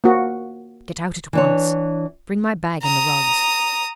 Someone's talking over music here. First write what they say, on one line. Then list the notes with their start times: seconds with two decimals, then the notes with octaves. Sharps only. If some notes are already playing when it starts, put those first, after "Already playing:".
Get out at once! Bring my bag and the rugs!
0.04 A#3 F#4
1.33 E3 D4 C#5
2.82 A#5 D#6